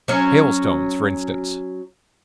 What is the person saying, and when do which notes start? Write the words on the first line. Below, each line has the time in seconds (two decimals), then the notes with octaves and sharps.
Hailstones, for instance.
0.08 F#3 C#4